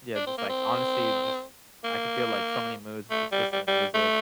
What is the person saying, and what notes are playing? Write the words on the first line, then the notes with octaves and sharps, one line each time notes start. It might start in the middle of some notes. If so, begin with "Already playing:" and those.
Yeah, just, like honestly, it just I could feel, like, so many moods just listening to music
D4
C4
A#3
C4
A#3
A3
G3
G3
G3
A3